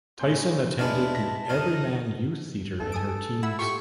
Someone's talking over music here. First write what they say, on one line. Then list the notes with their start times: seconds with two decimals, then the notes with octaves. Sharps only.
Tyson attended the Everyman Youth Theatre in her teens.
0.19 A2 C#3 G3 G#5 C6 G6
0.79 E2 G#3 B3 D4 E4 F5 A5 E7
1.15 A#6 B6
1.49 F#2 D#4 D#5 F5
2.80 G#1 E2 A4
2.92 G#5 D#6 D7
3.43 E4 F#5 B5 E6
3.59 F4 G4 A4 C#6